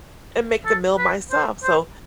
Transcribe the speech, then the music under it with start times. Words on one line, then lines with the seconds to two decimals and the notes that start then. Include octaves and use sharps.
and make the meal myself. So
0.66 A4
0.98 B4
1.31 C5
1.64 C5